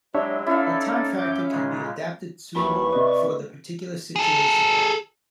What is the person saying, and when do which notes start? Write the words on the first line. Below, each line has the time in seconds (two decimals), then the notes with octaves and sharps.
The time factor can be adapted suitable for the particular situation.
0.15 F#3 G#3 D4 E4 G4 C#5 E5
0.47 C#4 D#4 E4 A4 D5 E5 F5
1.18 F#2 D6 G6
1.51 A#2 C#3 G#3
2.55 D#2 E3 F#3 B4 B5 C#6
2.92 C3 E4 B4 D5 D#5
4.16 G#4 A4